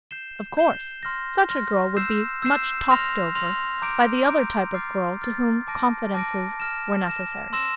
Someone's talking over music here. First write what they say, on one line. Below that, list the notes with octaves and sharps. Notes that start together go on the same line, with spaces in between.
Of course such a girl would be much talked over by the other type of girl to whom confidences were necessary.
G6 C7 E7 G7
G6 C7 E7 G7
C6 F6 A#6
C6 F6 A#6
E6 G6 C7 E7
E6 G6 C7 E7
C6 F6 A#6 F7
C6 F6 A#6 F7
A#5 D6 G6 D7
A#5 D6 G6 D7
D6 F6 A6 C7
D6 F6 A6 C7
A5 D6 F6 A#6 D7
A5 D6 F6 A#6 D7
F6 A#6 E7
F6 A#6 E7
C6 E6 A#6 E7